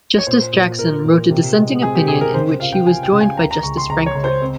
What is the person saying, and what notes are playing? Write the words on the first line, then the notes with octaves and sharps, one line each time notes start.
Justice Jackson wrote a dissenting opinion in which he was joined by Justice Frankfurter.
C#5
A#2 C5
A#2
A#2 A#4
A#2
C3
G#3
C4 G#4
G4
C3 G#4
A#4
C#3 C5
F4 F5
G5
F4 G#5
G5
C#3
G#5
C#2 A#5
A#5
C#2 C#6
C6
C#2 A#5
C#5
C#2
C5
C4